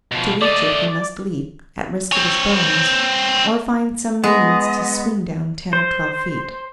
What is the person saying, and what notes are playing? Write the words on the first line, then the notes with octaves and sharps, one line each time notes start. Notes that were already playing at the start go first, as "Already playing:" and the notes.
To reach it he must leap, at risk of his bones, or find some means to swing down ten or twelve feet.
B2 F3
A3 D5 D#5
C4 C#5
G#3 B3 D#5
C5